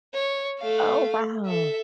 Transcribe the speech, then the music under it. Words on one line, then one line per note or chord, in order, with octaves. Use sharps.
Oh, wow.
C#5
A3 F5
A4 E5